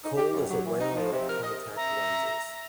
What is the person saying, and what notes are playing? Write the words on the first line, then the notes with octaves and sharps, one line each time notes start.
Cole is a wearer of contact lenses.
D#4
G4
F#2
F#3
E3
D#4
F3
C3
A#4
D#5
E5 A#5